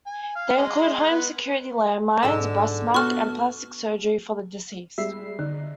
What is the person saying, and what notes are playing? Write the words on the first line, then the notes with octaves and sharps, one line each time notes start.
They include home security land mines, breast milk, and plastic surgery for the deceased.
G#5
F5
G#3 D#5 C6
B3 B4
B1 G#2 D3 G#3 E6
B3 F#4 A4 C#6 F6
G3 G#3 E5 C7
D3 D#4